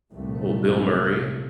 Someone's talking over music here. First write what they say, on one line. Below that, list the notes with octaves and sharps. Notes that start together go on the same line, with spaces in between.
Ooh, Bill Murray?
F1 C2 A#2 A3